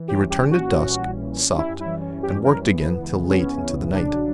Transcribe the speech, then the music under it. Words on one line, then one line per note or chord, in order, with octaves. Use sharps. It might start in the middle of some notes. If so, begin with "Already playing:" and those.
He returned at dusk, supped, and worked again till late into the night.
Already playing: E3
C#4 G4
G3 G4
A#1
F#4
A#2
C#4
G3
A#1
A#2
C#4
G3
E4
F#2
E4
E3
C#4
G3
G4
F#2
A#4
E3
B3
E3
C#2
C#3
B3 C#4
E3
C#2
C#3
A#1 D4
F#3